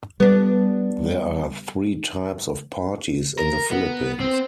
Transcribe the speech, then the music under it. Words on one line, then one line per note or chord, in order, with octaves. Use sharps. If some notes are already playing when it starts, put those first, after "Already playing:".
There are three types of parties in the Philippines.
G3 B3 D4
A#4
B3
C4